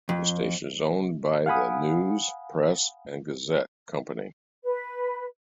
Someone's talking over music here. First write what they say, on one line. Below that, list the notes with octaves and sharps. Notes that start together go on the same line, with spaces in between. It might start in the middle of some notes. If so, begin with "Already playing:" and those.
The station is owned by the News-Press and Gazette Company.
F2
F5 F#5 G#5 B5 D#6
B4